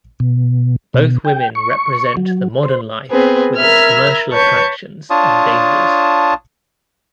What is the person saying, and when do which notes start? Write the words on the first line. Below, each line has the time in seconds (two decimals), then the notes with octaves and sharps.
Both women represent the modern life with its commercial attractions and dangers.
0.20 B2
0.94 B2
1.25 G5
1.55 C#6
2.17 F#3
2.63 C5
3.11 B3 C4 G#4 B4
3.57 A#4 E5 B5 E6 F6 G#6
4.32 B4 C#5 A5 C#6 G6
5.10 D4 F4 C#5 A5 D#6